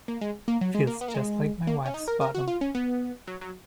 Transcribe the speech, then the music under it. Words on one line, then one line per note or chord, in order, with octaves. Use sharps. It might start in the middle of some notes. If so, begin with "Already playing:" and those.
Feels just like my wife's bottom.
A#3
G#3
A#3
F#3
G#3
A#3
B3
A#3
G#3
A#3
C#4
D#4
A#4
A#4
F#4
F4
C#4
B3
F#3
F#3